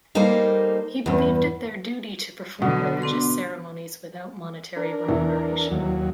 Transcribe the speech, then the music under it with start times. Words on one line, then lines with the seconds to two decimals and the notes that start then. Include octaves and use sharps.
He believed it their duty to perform religious ceremonies without monetary remuneration.
0.15 G3 A#3 D#4 A4 A#4 C5
1.06 E2 G2
2.62 B2 D3 F#5
3.02 B3 D4 C6
4.76 D4 A#4
5.08 E2 E3
5.71 D#2 F#3